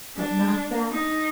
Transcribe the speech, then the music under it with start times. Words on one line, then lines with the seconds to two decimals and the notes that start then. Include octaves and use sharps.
"But not that?"
0.16 D4
0.91 D#4